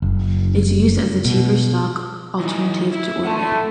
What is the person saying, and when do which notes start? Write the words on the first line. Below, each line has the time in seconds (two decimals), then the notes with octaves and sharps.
It's used as the cheaper stock alternative to Orbit.
0.02 F#1
1.25 B2
2.40 E3 D#4
2.93 E4
3.25 A3 F#5 A5